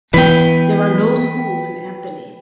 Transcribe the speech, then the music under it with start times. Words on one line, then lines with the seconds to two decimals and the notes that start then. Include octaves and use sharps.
There are no schools in Anthony.
0.14 E3 B3 B4 G5